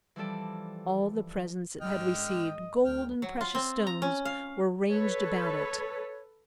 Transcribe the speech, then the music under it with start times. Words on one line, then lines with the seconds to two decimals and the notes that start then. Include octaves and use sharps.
All the presents it had received, gold and precious stones, were ranged about it.
0.16 E3 F3 G3 A4 D5
1.81 G#1 D3 G#3 D#5 G5 F6
2.85 D2 F#3 G5 F6
3.22 F#3
3.41 F4
3.55 C4
3.87 A#5
4.02 C#4
4.25 F5
4.90 A4 B4 C#5